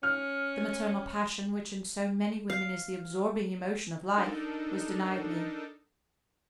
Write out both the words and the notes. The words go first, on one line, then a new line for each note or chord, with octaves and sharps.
The maternal passion, which in so many women is the absorbing emotion of life, was denied me.
C#4 F6
F5
D4 D#4 A4 A#4